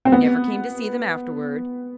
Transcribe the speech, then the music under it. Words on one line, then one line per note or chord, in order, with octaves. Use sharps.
He never came to see them afterward.
C4
B3